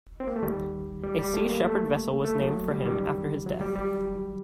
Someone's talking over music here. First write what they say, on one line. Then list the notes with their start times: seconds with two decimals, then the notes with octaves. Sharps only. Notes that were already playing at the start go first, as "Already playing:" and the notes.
A Sea Shepherd vessel was named for him after his death.
0.20 C4
0.27 A#3
0.36 A3
0.43 D#2 D#3 G3
1.03 G3
1.19 G3
1.34 A3
1.49 A#3
1.65 A3
2.25 A3
2.40 F#3
2.71 G3
2.85 F#2 D#3 G3
3.46 F#3
3.61 G3
3.76 G3